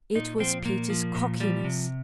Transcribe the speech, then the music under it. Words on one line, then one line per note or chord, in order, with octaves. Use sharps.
It was Peter's cockiness.
A#2 D#4
F3 C4
A#2 A#3
F3
A#2
F3 G3
C3